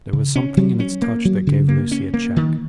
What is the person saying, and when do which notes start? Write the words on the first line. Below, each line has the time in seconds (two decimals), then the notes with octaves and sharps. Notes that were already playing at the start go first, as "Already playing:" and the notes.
There was something in its touch that gave Lucie a check.
0.13 C#3
0.36 C#4
0.57 F#3
0.80 C#4
1.02 A#3
1.25 F#3
1.47 C#3
1.69 A#3
1.92 C#4
2.14 A#3
2.36 D#3